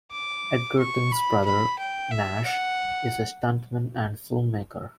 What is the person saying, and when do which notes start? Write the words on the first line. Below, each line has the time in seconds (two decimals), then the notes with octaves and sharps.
Edgerton's brother, Nash, is a stuntman and filmmaker.
0.11 D6
0.78 C#6
1.12 B5
1.45 B5
1.79 G5
2.12 E5
2.46 F#5